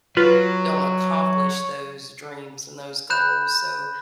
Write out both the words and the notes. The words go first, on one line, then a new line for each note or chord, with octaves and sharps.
don't accomplish those dreams and those goals, so,
F#3 F4 B4 C#5
B5 F#6 G6 E7